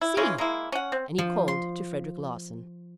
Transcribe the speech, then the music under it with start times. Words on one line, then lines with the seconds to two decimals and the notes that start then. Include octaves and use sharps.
"See!"--and he called to Frederic Larsan.
0.01 E4
0.17 C#3 E3 G#3 C#4
0.38 G#3 A#3 E4
0.72 C#4 F#5
0.92 C4
1.18 F3
1.48 C6